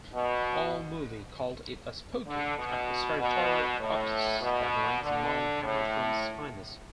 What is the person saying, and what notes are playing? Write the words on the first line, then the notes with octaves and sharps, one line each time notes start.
AllMovie called it a spooky, atmospheric horror opus that ranks among Hammer Films' finest.
B2
D3
B2
B2
A2
B2
D3
A2